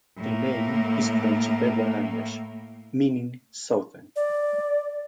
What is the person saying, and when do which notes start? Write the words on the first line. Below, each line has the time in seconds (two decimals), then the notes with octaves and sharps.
The name is from the Chippewa language, meaning "southern".
0.18 A2 A#3
4.16 D5